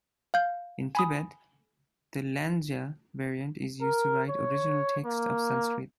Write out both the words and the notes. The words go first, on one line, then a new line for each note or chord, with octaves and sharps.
In Tibet, the Lanydza variant is used to write original texts of Sanskrit.
F5 G6
G#5 B5 D#6
A#4
C#5
A#3